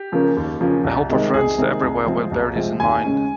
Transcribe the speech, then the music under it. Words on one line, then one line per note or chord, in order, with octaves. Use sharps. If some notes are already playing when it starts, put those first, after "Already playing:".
I hope our friends every where will bear this in mind.
Already playing: G4
C#3 F3 A#3 C#4
D#2
C#3 F3 A#3 C#4
C2
C3 D#3 G#3 C4
C2 G#4
C3 D#3 G#3 C4
C2
C3 F3 G#3 C4
C2
C3 F3 G#3 C4
D#2 G#5
C#3 G#3 C#4